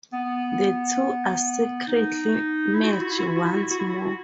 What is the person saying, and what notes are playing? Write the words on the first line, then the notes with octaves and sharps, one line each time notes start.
The two are secretly merged once more.
B3
D#4
E4
F#4
E4
F#4
E4
F#4
E4
F#4
E4
F#4
E4
F#4
E4
F#4
E4
F#4